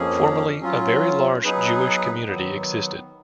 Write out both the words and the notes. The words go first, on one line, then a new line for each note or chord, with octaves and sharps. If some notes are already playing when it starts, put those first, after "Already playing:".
Formerly, a very large Jewish community existed.
Already playing: F2 F3 A#3 C#4 G#4
F#3 C#4 F4
F#3 B3 D#4 G#4 B4
D#3 F#3 B3